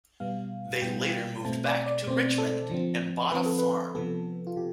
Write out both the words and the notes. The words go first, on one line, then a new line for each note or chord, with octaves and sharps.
They later moved back to Richmond and bought a farm.
B2 G3 B3 F5
B2 G3 B3 G5
B2 A3 C4 A5
D5
D5
B2 A3 C4 C5
A4
D3 F3 C4
D3 F3 C4 B4
A4
B4
C3 F3 B3 A4
F4
C3 G4